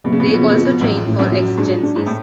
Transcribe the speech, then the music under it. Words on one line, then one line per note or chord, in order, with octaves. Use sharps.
They also train for exigencies.
F#1 B2
C#3
B2
C#3
B2 F3
C#3
B2
C#3 F3
B2
A1 F#2
A2
F#2
F#3
G#2 D4
D4
G#2
A2